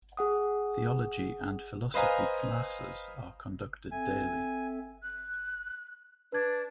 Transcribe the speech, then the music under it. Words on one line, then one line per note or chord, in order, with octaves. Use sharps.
Theology and philosophy classes are conducted daily.
G#4 F#5 D#6
B4 C5 D#5 F5 G#5 A#5
C4 A4 E5 G#5
F#6
D4 B4 G#6